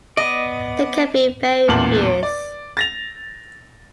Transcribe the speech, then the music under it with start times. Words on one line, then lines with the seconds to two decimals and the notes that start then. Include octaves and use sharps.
They can be very fierce.
0.17 B3 D5 D#5
1.68 A1 E2 A#2 A5 F#7
2.23 D5
2.77 A6 A#6 F7